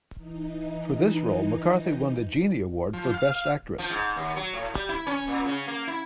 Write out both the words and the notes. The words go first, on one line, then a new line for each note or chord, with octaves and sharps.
For this role, McCarthy won the Genie Award for Best Actress.
E3 D#4
F3
F5
F3
G#2
D#2
F#3
A2
G3
E4
C#4
A#2
C#3
A#3
E4